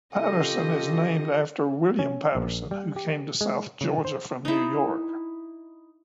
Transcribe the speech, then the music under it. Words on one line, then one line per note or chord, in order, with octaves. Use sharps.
Patterson is named after William Patterson, who came to South Georgia from New York.
C#3 F4 G4 A4 D#5 A#6
C#4
A#1
G3
G4
G#3
C#3
C5
D#4 E4